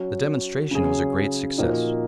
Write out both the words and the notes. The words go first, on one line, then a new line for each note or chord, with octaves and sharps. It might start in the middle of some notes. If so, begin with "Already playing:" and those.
The demonstration was a great success.
Already playing: F#3 C#4 F#4
C#3 F#3 C#4 G#4
A#2 F3 A#3 D#4 F#4